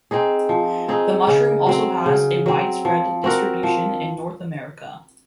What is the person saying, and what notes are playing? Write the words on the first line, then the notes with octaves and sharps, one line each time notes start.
The mushroom also has a widespread distribution in North America.
C4 D#4 G#4
F3
C4 D#4 G#4
C#3
F#3 C4
C#3
F#3 C4
F3
C4 F#4 A#4
F3